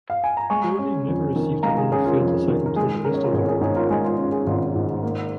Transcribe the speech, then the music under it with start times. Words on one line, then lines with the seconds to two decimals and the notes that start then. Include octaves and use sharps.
Early never received another field assignment for the rest of the war.
0.10 F5
0.24 G#5
0.37 A#5
0.50 G#3 G#5 C#6
0.79 C#4
1.07 F2
1.36 D#3
1.63 G#3 F5 A#5
1.77 G#4
1.92 C#4 G#4
2.05 F4 A#4
2.21 F2
2.48 D#3
2.66 A#4
2.76 G#3 G#4
3.05 C#4 A#4
3.14 C#5
3.24 F4 A#4
3.33 G#1 G#4 C#5
3.48 G#4
3.61 G#2 G#4 C#5
3.76 F4 A#4
3.90 G#3 G#4
4.04 F4
4.18 C#4 F4
4.32 G#4
4.46 G#1 F4
4.76 G#2
5.03 A#3